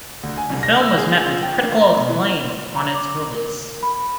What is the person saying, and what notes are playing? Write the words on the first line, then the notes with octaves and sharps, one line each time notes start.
The film was met with critical acclaim upon its release.
D2
G#5
C2
A#6
E6
G#4
F4
G5
A#3
A#5
B2
E3
A#5
D6
A#4
B5